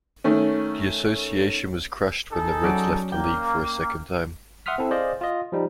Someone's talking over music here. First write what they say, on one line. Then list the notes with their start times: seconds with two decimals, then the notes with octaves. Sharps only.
The Association was crushed when the Reds left the league for a second time.
0.24 D#3 A3 C#4
2.31 D#4 G#4 A4
2.63 F#3 C#4 D5
3.12 A#3 G5
4.66 E5 F#5 C6 D#6 F6 B6
4.78 C4 E4 A4
4.91 G#4 C5 D5 D#5 F5
5.21 F4 D#5
5.52 F3 G3 D#4